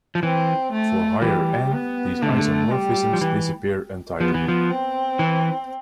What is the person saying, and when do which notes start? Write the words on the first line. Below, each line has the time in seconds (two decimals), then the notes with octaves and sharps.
For higher "n", these isomorphisms disappear entirely.
0.15 F3
0.23 E3 C4
0.72 A3
1.22 E3 G3
1.73 B3
2.23 D3 A3
2.29 C3
2.38 D3
2.72 G3
3.13 F3
3.21 E3
4.20 F3 B3
4.34 E3
4.48 F3
4.70 C4
5.19 E3